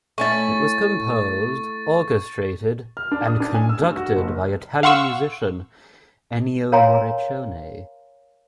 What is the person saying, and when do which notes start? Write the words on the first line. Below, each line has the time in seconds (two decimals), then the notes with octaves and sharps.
It was composed, orchestrated, and conducted by Italian musician Ennio Morricone.
0.18 A3 C#4 E4 C#6 A6
2.97 F6
3.12 D4
3.27 D#6
3.40 D4
3.54 G#5
3.69 E6
3.82 G2
3.97 F#4
4.16 F#1
4.83 F5 F#5 C6 C#6 E6
6.72 A#4 C#5 F5 G#5 A#5 C6